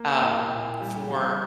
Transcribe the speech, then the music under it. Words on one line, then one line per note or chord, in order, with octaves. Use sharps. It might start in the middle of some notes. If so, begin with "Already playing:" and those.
um, for
Already playing: A#3
A2 F5
A#2 G5
G3 G5
G3 F5